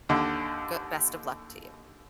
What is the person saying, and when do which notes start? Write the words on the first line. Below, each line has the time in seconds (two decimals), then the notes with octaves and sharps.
Goo Best of luck to you.
0.09 D#2 D3